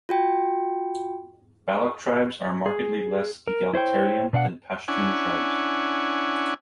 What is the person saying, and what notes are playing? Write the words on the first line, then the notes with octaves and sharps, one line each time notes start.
Baloch tribes are markedly less egalitarian than Pashtun tribes.
F4 F#4 G5
G#4
A#4
E4 C5 C#5 G5
B2 D4 F5 F#5
C#4 D4 E4 F#5 G#5